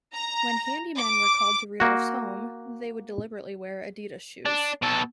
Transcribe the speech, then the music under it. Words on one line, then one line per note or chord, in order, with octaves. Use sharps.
When handymen were called to Rudolf's home, they would deliberately wear Adidas shoes.
A#5
D6
A#3 F#4
D4
B2 A4